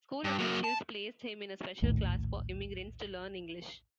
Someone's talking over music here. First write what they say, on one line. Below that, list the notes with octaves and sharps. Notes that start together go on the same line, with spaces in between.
School officials placed him in a special class for immigrants to learn English.
G2
F#3 A#3
A5
A#1 D#2 A2